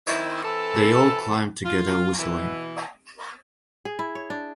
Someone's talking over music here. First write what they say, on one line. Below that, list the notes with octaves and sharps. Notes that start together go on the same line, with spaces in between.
They all climbed together whistling.
D#3 C4 E4
E3 C4 A4
F4
B2 E3
G#4
E4
C#5
D4